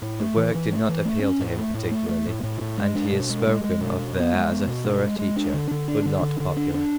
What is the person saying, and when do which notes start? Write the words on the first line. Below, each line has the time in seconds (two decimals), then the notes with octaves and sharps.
The work did not appeal to him particularly and he is spoken of there as a thorough teacher, but not popular.
0.02 A2
0.20 A3
0.37 E3
0.55 E3
0.72 A3
0.89 E3
1.05 A3
1.22 C#4
1.40 A2
1.57 A3
1.74 A2
1.91 A3
2.09 A3
2.27 A2
2.43 A2
2.61 A2
2.78 G#3
2.95 D4
3.12 B2
3.30 G#3
3.47 G#3
3.64 G#3
3.81 B2
3.98 D4
4.16 B3
4.33 G#3
4.51 B3
4.67 B2
4.84 G#3
5.02 G#3
5.19 G#3
5.36 D4
5.53 D3
5.71 D3
5.88 D4
6.06 D3
6.22 D3
6.40 D3
6.57 D4
6.74 D4